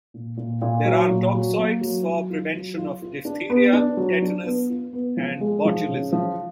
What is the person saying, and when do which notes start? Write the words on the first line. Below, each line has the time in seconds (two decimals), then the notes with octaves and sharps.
There are toxoids for prevention of diphtheria, tetanus and botulism.
0.14 A#2
0.37 A#2
0.62 A#2
0.85 F#3
1.10 A#2
1.34 F#3
1.58 A#3
1.81 F#3
2.06 F#3
2.30 F4
2.53 F#3
2.77 F4
3.02 F4
3.25 D4
3.50 B3
3.73 D4
3.97 F#3
4.22 D4
4.45 B3
4.70 F4
4.93 B3
5.17 F3
5.41 G#3
5.65 F3
5.89 C#3
6.12 F3